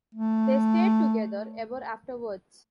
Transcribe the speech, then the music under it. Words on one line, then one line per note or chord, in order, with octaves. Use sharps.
They stayed together ever afterwards.
A3